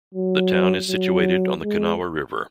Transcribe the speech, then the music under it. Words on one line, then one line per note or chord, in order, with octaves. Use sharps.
The town is situated on the Kanawha River.
F#3
F#3
G#3